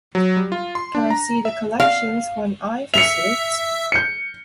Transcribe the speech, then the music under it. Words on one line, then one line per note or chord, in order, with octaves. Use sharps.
Can I see the collections when I visit?
F#3
G3
F4
C6
D4
A#5
E5
F5
E5 C#7 F7
G6 C#7